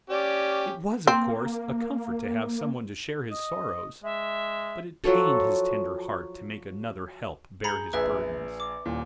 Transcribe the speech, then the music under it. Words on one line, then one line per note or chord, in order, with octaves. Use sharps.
It was, of course, a comfort to have some one to share his sorrows; but it pained his tender heart to make another help bear his burdens.
C#4 G4 D5
A#3 C4
D#5
G#3 E5
F3 F#3 F#4 A4
G#4 A#5 B5 G6 C#7
A#1 G#4 B4 E5 E6
D6
D#1 A#2